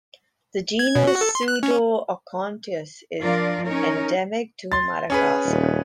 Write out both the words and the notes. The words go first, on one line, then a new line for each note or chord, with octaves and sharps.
The genus "Pseudoacontias" is endemic to Madagascar.
G#6
B2
F#4
A4
C6
F#6
C#4
F3 D4 F4 A#4 D5
C#4 D#4 A#4 C#5
C6 A6
C#4 G#4 B4
D#1